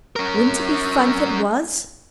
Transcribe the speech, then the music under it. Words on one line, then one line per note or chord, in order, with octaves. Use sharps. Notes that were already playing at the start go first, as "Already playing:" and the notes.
Wouldn't it be fun if it was?
C#4 A#4